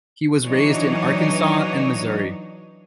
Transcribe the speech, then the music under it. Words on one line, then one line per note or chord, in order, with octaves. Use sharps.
He was raised in Arkansas and Missouri.
E3 F#3 D4 D#4 C#5 D#5